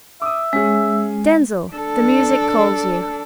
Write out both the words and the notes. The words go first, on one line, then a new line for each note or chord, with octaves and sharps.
Denzil, the music calls you.
E5 D6 D#6
G#3 C#4 G#4
D4 A4